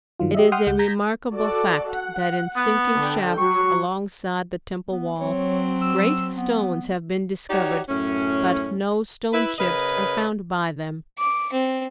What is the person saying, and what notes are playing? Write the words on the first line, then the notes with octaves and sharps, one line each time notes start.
It is a remarkable fact that in sinking shafts alongside the temple wall, great stones have been discovered but no stone chips are found by them.
G2 D#3 F#3 F4
G4 D#5 E5
F#5 G5 C6 D#6 F6
C#2 G#3 F#5 G6
A#5 G6 G#6 A#6 B6
F#4 A4 D5
F#5
B3
D3 A4 G5
F#3 F#4 C#6
B3
F#3 C4 C#5
E6
B3
D#4 F#4 G4 C#5 D5
F#2 A2 C#4
E4 B4
C#3 A#4 B4 C#5 D#5
D6
C4